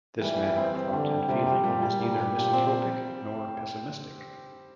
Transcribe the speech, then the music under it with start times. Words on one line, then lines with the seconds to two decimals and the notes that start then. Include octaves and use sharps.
This manner of thought and feeling is neither misanthropic nor pessimist.
0.21 E3 G3
0.39 G3
0.57 C4
0.75 C4
0.93 D3 G3
1.11 G4
1.29 C3 G3
1.47 G4
1.64 A#2 G3
1.82 G3
2.00 A#2 G4
2.18 G4
2.36 A#2 G4
2.53 C4